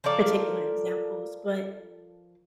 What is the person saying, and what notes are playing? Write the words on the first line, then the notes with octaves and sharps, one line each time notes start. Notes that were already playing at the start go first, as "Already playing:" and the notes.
particular examples- but
F3 A4 A#4 D5